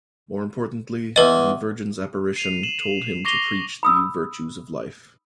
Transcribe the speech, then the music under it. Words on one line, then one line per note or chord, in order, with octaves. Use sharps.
More importantly, the Virgin's apparition told him to preach the virtues of life.
E2 B4 D#5 G#5
C7 D#7 F7
D#7 E7 F#7
C#6 D6 A#6 C7 F7 G7
B5 D#6 E6